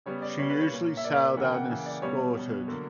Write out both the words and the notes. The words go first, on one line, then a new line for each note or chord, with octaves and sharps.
She usually sailed unescorted.
C#3 G3 B3 C#5
D5
C#3 G3 B3 C#5
B4
C#5
A#2 A#3
E5
A#2 A#3 D5
C#3 E3 A#3 F#5
G5
F#5
C#3 E3 A#3
D5
B2 G3 B3 C#5
B2 G3 B3
D3 F#3 A#3